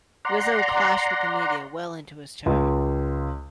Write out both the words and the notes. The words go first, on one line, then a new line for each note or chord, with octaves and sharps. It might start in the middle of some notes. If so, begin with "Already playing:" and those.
Rizzo clashed with the media well into his term.
D5 F#5 A#5 C6
C#2